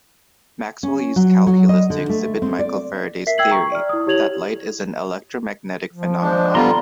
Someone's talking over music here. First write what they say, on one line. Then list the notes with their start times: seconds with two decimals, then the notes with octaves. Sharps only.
Maxwell used calculus to exhibit Michael Faraday's theory, that light is an electromagnetic phenomenon.
0.83 C#4
1.16 F#3
1.47 F#3
1.69 D#5
1.90 D3
2.09 A3
2.42 C4
2.59 D5
3.27 A#4 E5 B6 C7
3.38 G5 E6 G#6 C7 F#7
3.51 A#5 C#6
3.72 D5 F6
3.89 E4 D#6
4.07 E4 G4 C#5 G#6 F7 F#7
5.93 F3
6.22 G#3 D4 C5
6.55 D3 G3 B3 F4 A#5 C6